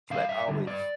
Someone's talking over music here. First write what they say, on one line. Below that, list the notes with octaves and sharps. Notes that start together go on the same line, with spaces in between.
So that always
D3 G3 F5
G2 E5
D3 G3
G2 D5